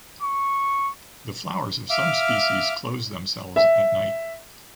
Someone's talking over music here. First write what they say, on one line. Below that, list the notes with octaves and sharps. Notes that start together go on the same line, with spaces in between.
The flowers of some species close themselves at night.
C#6
E5 F5 D6 F6
E5